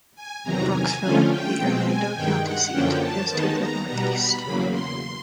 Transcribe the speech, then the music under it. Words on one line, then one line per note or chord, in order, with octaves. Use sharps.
Brooksville, the Hernando County seat, is to the northeast.
G#5
E2 C3 D#3 F#3 A#5
G#5
D3 F3 A3 C#4 F4
G5
B2 G#3 C4
G#5
G2 D#3 G#3 G5
F#5
F#2 D3 F3 A#3 C#4 G5
A5
D#2 D#3 G#3 B3 D#4
A#5
B2 G3 B3 A#5
B5
E2 C#3 F#3 A#3
C6